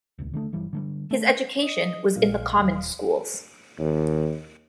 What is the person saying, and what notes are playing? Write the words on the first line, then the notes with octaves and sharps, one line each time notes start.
His education was in the common schools.
D#1 C#2
D3 G3 A3
G1 E3 G3
D3 F#3 G3
A3
D#5
A#1 F5
D#1
D#2